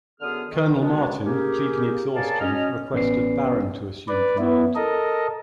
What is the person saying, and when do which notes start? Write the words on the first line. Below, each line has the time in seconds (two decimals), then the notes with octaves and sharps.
Colonel Martin, pleading exhaustion, requested Barron to assume command.
0.20 F#2 D3 B3 G#4 D#6 F6
0.49 D#3
0.79 B2 D#3 G#3 B3 C#4 D4
1.25 A#3 C#4 G4 G#4
2.14 G#4 A#4 C#5 D5 F5 A5
2.40 F#3 C#4 D#5 F6
2.93 A1 B3 C#4 B4 D5 C7
4.08 B4 D5
4.38 B3 E4
4.76 A4 A#4 D#5